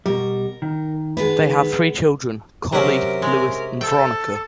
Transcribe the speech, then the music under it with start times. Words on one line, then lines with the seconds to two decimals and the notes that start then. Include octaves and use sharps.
They had three children: Colley, Lewis and Veronica.
0.06 B2 G3 A#4
0.62 D#3
1.17 G#3 B3 B4
2.73 C3 F#3 C#4 A#4
3.22 G#3 A#4
3.81 A4 G5